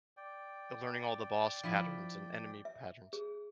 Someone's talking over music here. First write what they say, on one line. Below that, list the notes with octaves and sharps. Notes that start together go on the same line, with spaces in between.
learning all the boss patterns and enemy patterns.
D5 G5
F3 E4 B5
E5
G#4